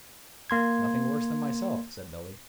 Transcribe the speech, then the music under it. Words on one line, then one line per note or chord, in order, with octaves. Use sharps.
"Nothing worse than myself," said Billy.
A#3 C6 G#6